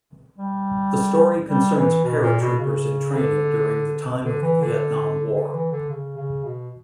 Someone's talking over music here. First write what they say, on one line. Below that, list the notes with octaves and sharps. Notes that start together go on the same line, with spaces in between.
The story concerns paratroopers in training during the time of the Vietnam war.
G3
G3
E3
B2
A#2
B2
C#3
D3
D3
E3
D3
D3
E3
D3
C#3
C#3
B2